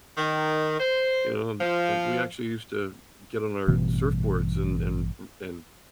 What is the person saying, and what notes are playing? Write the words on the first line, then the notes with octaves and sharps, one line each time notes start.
You know, and and we actually used to get on our surfboards and and r and
D#3
C5
F3
A1 G2 B2 E3